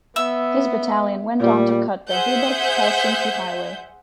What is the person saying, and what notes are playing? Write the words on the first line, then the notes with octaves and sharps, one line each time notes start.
His battalion went on to cut the Vyborg–Helsinki highway.
B3 E5 E6
A#2 G3
G#4 C5 E5 F#5 G6